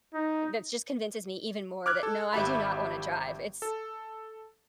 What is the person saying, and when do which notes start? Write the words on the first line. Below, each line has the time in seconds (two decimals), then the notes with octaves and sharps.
that's just convinces me even more that, no, I do not wanna drive. It's
0.14 D#4
1.86 D6 F6 F#6 G#6
2.03 A4
2.33 G#1 G4 E5 B5
3.62 A4